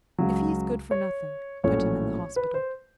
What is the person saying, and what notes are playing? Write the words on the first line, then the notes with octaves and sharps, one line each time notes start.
If he is good for nothing, put him in the hospital.
C#2 C#3 F#3
C#5
A#1 A2 F#3 A3 C#4 C#5
B4
C5